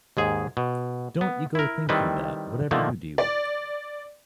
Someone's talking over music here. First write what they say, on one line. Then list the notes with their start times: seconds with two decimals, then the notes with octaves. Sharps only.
Don't you go thinking that, whatever you do.
0.17 D#2 G#2 G#4
0.57 B2
1.21 B3
1.55 E4 A#4
1.89 D#3 G3 C4 E4 A4 B4
2.71 D3 D#3 F3 A3 A#3
3.18 D5